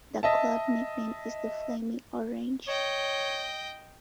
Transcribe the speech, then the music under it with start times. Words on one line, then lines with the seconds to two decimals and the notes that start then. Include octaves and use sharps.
The club nickname is the flaming orange.
0.23 D#5 E5 A5
2.68 C#5 D#5 G5